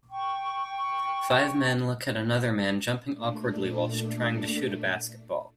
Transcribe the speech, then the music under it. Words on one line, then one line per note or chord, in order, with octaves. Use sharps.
Five men look at another man jumping awkwardly while trying to shoot a basketball.
G5 C#6
A#2 A3 D4